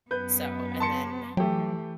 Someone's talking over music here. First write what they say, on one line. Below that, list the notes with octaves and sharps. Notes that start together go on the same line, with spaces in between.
So and then,
F#2 B3 B4 G6
A5 C6 C#7
E3 F#3 A3 G4 G5